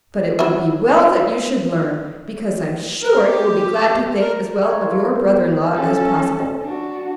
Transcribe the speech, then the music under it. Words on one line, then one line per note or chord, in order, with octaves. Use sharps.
"But it would be well that you should learn, because I'm sure you will be glad to think as well of your brother-in-law as possible."
F#3 E4
A#4
G4
C4
A#4
E5 G5 A5 A#5 C#6 G#6
E4 G#4 A#4 F5 A#5 C6
B3 A#4
C#4 A4
D4 F#4